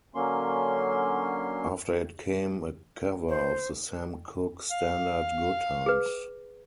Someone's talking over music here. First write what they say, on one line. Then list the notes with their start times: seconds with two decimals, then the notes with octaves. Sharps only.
After it came a cover of the Sam Cooke standard "Good Times".
0.15 D3 F#3 A#3 C#4 C6
3.29 C5
4.71 F5
5.86 G#4 B4